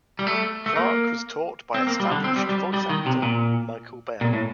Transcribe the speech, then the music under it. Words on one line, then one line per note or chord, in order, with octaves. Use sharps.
Clarke was taught by established voice actor Michael Bell.
G3
A3
A3
A#3
C4
A#3
G3
D3
C4
G3
G3
G3
D#3
C3
A#2
A#2
A2